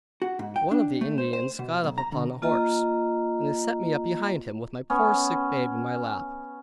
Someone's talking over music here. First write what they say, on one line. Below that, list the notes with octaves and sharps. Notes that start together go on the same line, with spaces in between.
One of the Indians got up upon a horse, and they set me up behind him, with my poor sick babe in my lap.
F#4
G#2
G5
D4
A3
C5
C5
B2
B1
A#5
D3
A#3 F4 D#5 A#5
B3 C#4